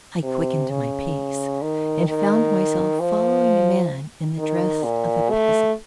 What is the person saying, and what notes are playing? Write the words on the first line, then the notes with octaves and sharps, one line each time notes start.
I quickened my pace, and found myself following a man in the dress of a peasant.
C3
C#3
D#3
D#3
F3
D#3
A#2
A3